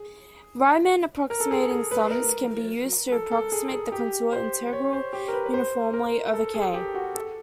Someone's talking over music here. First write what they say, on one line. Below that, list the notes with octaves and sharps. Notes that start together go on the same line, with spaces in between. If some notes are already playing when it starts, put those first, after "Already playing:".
Riemann approximating sums can be used to approximate the contour integral uniformly over "K".
Already playing: G#4
A#4
A4
G#4
G#4
B4
A#4
A4
A4
G#4
G#4
G4
C5
C#5
C5
G4
A#4
B4
B4
C5
A#4
A4
G#4
G4
F#4
A4